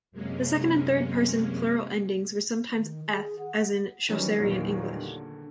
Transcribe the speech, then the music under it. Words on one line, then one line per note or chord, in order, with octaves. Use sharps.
The second and third person plural endings were sometimes -eth as in Chaucerian English.
F#2 C3 G#3 A#3 C#4
D#3
G#4
F#5
D#3 E3 F#3 G3 C#4
E2 A#2 D#3 F#3 G3 A#3
D3